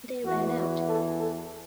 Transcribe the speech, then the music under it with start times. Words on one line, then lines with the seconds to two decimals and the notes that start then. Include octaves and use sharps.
They "ran" out.
0.24 E2 E3 F#4
0.55 F#4
0.86 A4
1.17 A4